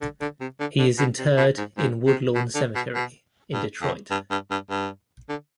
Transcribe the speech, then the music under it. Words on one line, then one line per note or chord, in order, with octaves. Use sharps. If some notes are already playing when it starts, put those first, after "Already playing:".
He is interred in Woodlawn Cemetery, in Detroit.
D3
D3
C3
D3
D3
B2
C3
B2
G#2
G#2
C3
B2
D3
B2
B2
G2
F2
G2
G2
G2
G2
D3